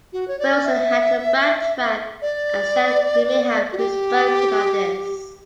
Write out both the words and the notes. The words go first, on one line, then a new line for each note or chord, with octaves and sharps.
Wilson had to backtrack and said he may have "misspoken" on this.
F#4
C#5
D5
E5
D5
F#4
G4